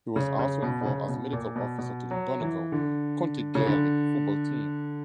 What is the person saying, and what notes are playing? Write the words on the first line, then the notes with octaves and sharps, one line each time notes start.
He was also involved as medical officer to the Donegal county Gaelic football team.
C#3
C#3
B2
B2
C#3
B2
A#2
B2
B2
F#3
E3
D3
C#3
D3